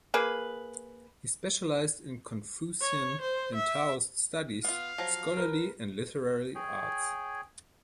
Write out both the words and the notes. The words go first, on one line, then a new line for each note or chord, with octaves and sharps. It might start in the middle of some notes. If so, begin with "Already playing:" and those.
He specialised in Confucian and Taoist studies, scholarly and literary arts.
A#3 G#4 B4
C#5
C5
E5
B3 F4 F5
F3 F#3
A#4 B4
G#4 C#5 G5 G#5